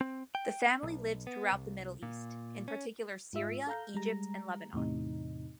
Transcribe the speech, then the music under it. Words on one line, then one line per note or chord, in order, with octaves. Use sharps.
The family lived throughout the Middle East, in particular Syria, Egypt, and Lebanon.
C4
G5
B1
B3
C2
A#2
C#4
G#2 F4 E5
A4 F5 A#5 G6
G3 G#3 A#5
E2 A2 C3 D#4